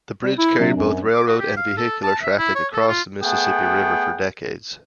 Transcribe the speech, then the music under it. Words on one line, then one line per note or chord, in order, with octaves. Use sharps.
The bridge carried both railroad and vehicular traffic across the Mississippi River for decades.
G3
E4
C3 F#3 C4 D4
F#2
D6
F#4
G4
F5
A4
A5
E5
E4
C#5
A4
F4
A3 B3 G#4 F#5 G5